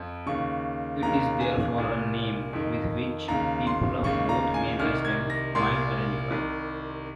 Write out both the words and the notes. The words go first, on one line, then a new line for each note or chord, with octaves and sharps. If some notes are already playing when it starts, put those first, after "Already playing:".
It is therefore a name with which people of both main islands might identify.
Already playing: F2
D#2 C#3 C#6
D#2 C#3 A#5
G#5
C2 A#2
F2 D#3
D#2 C#3 A#5
C6
D#2 C#3 C#6
A#5
G#5
C2 C3 D#3 F6
G#6
A#6
C2 A#2 C6
C2 C3 D#3